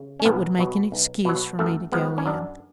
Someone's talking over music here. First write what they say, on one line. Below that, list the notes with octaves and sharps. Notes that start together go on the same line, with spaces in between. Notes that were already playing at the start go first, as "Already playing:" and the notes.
It would make an excuse for me to go in.
Already playing: C#3
C#4
B1 B3
B2 F#3
B1
B2 F#3
F#2 A3
F3 G#3 B3
C#4
F#2 D4